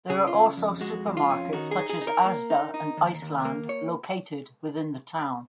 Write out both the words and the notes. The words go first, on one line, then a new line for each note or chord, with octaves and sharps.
There are also supermarkets such as Asda and Iceland located within the town.
C#3 G#4
F4
C#3
F2
G#3 F#4
F2
F4
C#4
D#3 F#4
G#4
D#4
G#4
D#4
A#4
A#3
D#4
D#4
D#2
D#2
A#3
C#5